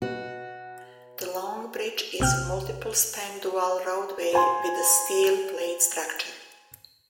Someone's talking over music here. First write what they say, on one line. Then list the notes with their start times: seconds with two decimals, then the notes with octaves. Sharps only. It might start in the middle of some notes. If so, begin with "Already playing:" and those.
The -long bridge is a multiple span dual roadway with a steel plate structure.
0.02 B2 F#4
2.20 A#1 C3 G5 F6
4.33 C5 G#5 C6